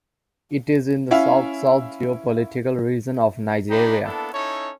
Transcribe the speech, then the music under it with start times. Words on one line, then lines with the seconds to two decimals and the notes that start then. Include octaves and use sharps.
It is in the South-South geo-political region of Nigeria.
1.11 C#4 E4 E5 F5
3.69 D4 D#4 G4 G5 A#5 B5
4.04 A#3 B3 D4 E4 A4
4.33 C#4 D#4 E4 A4 C#5